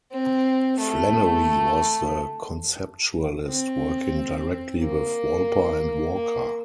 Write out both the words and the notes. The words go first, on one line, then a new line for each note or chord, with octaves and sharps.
Flannery was the conceptualist working directly with Wolper and Walker.
C4
A3
C4
A#3
A#3